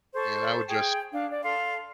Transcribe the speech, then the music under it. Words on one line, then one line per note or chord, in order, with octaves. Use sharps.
and I would just
A4 C5 C#6
G#4 G5
D4 F5
D5
A4 F5 C6